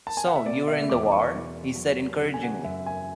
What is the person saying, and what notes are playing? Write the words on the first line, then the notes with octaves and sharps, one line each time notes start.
"So you were in the war," he said encouragingly.
A5
G#5
F#5
E5
B2 D5
E5
E2 D6
D6
C#6
B2
F#3
C#3
G#5
F#5
F#2 E5
G#5